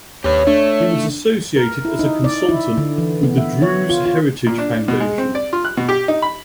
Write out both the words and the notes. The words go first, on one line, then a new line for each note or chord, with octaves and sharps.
He was associated as a consultant with the "Druze Heritage Foundation".
D#2 G4 B4 C#5
A3 D4
A#4
E4
D#4
D5
E4
D3
E3
B3
E5
C#5
F4
F4
A#2
D4
B2
G#3
C4
D5
F4
F#6
B2
G4
D#4
B5